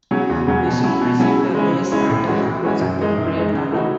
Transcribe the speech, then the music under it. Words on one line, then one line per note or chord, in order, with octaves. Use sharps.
He soon received a mace and a hammer that could create thunder.
C#3 F#3 C#4
E2
C#3 F#3 C#4
B2
F#3 C#4 E4
B2
F#3 C#4 E4
C#3
G#3 C#4 E4
C#3
G#3 C#4 E4
A2
E3 G#3 C#4 F#4
A2
E3 G#3 C#4 F#4
F#2
D#3 G#3 D#4
F#2
D#3 G#3 D#4
C#3
E3 A3 D#4 F#4